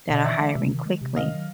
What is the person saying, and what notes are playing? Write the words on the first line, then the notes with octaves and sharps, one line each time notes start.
that are hiring quickly.
B2 D#5
E3 D5 E5
G#3
C3
D#3
G#3
C3
D#3 D#5 F5
F#3